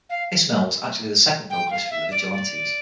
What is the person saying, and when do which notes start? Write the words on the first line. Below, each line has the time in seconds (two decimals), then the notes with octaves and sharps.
Ismail was actually the second vocalist for The Vigilantes.
0.09 F5
1.50 G5
1.70 F5
1.90 E5
2.11 D5
2.31 D5